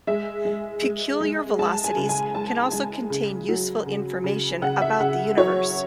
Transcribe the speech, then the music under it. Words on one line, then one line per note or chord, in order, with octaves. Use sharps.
Peculiar velocities can also contain useful information about the universe.
G#3 E5
G#3
G#3
G#3
G#3 A5
G#5
C#3
G#5
G#3 A5
G#3 G#5
C#3
F#3
C#3
C#3
C#3 F#5
E5
C#3 F#5
F#3 C#5